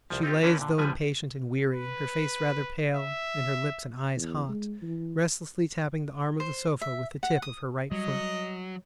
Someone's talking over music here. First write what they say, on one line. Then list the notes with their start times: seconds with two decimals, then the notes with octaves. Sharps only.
She lay as though impatient and weary, her face rather pale and her lips and eyes hot, restlessly tapping the arm of the sofa with the tip of her right foot.
0.10 C2 F3
0.23 C4 D#4 F4 G4
0.43 D3 E3 C#4 D#4 A#4 B4
0.59 A#2 D3
0.78 D3 E3 F3 G3 B4 G#5
1.71 B4
2.93 E5
4.17 E2
4.49 G#3
4.82 E3
6.40 C5
6.81 E5
7.23 F#5
7.42 D#6
7.92 F#3 G3 D#5